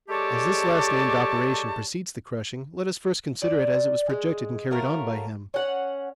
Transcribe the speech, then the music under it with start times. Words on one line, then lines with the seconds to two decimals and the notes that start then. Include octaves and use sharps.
As this last-named operation precedes the crushing, let us first consider it as it was projected and carried on by him.
0.09 G#3 G4 A4 C#5 D5 A5
3.42 D5
4.10 G#3
4.71 F#3 A3 A#3 A#4
5.54 C#4 F#5